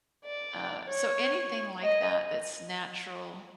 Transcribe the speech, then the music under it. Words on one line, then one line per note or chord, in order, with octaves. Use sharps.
uh, so anything like that that's natural
D5
C#5
D#5